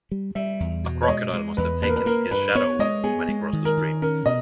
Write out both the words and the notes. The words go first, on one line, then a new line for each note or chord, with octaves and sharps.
A crocodile must’ve taken his shadow when he crossed the stream.
G3
G3 E5
E2
B2
C#5
G#3 D#5
G#3
E2 B4
A#3 B4
A#4
B4
A#3 A#4
G2 B4
B3 C#5
G#3 D#5
B3 G#4
G#3
D#3
A#4
D#3
C#4 A#4
B2 D#5